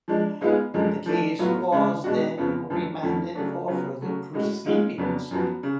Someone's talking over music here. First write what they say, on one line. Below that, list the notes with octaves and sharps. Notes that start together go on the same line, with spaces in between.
The case was then remanded for further proceedings.
F3 G#3 D4
G#2 G#3 B3 F4 G#4
F#2 D3 F3 G#3
F3 A3 D4
A2 F#3 B3 F4
C#3 G#3 D4
B2 G#3 D4 F#4
F2 C#3 F3 B3
F#2 D3 F3 A3
F2 F3 A3 C#4
C#3 F#3 A3 D4
C#3 F#3 B3 F4
C#3 F#3 A3
A2 G#3 C#4 F#4
G#2 G#3 C#4 F4 G#4
F2 C#3 F#3 B3 D4
F#2 F3 B3 F#4
C#3